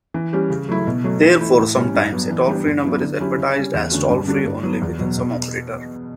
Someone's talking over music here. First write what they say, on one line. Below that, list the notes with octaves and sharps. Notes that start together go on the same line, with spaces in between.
Therefore, sometimes a "toll-free" number is advertised as "toll free only within "some" operator".
E3
G3 C#4 G4
C#3
F#3 A3 E4
B2
F#3 A3
E3
A3 E4
A2
G3 C#4
G2
F#3 B3
E3
G3 B3 D4 G4
G2
F#3 B3 E4
D3
F#3 C#4 E4 G4
C#3
G3 C#4
E2
D3 A3 C#4 F#4
G2
D3 G3 D4 F#4
G2
F#3 B3
E2
B2 F#3
B2